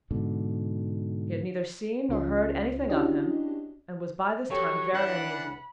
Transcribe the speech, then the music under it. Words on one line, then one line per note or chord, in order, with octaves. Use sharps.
She had neither seen nor heard anything of him, and was by this time very uneasy.
G#2 B2 D3
C#2 C#4 F4
C#4 D4 E4 F#4 G4 D#5
F#3 G4 A4 C#5 C#6
E3 D4 C#5 F#5 B5